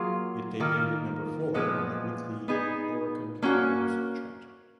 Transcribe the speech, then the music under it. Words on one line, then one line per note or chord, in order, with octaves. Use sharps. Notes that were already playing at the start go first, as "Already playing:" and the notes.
It debuted at number four on the weekly Oricon Albums Chart.
Already playing: F#3 A#3 F4 G#4
D#3 A#3 F4 A#4
A#2 F3 G#3 B3
B3 D#4 G#4
A#3 C#4 F#4